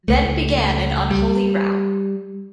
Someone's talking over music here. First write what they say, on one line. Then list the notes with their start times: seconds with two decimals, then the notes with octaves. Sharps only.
Then began an unholy row.
0.08 C#2 A3
1.11 G3